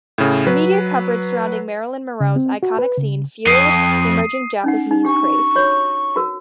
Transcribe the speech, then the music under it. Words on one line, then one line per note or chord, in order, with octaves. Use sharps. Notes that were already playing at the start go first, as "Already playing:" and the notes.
The media coverage surrounding Marilyn Monroe's iconic scene fueled the emerging Japanese craze.
A2 C#3
F#3 B4
C#3
C4
F#4
B4
C#3
F2 D#6 C7 D#7
C#4 D#4 F#5
D#4
D4 G4 C#6
F#4 C#5
F#4 A#4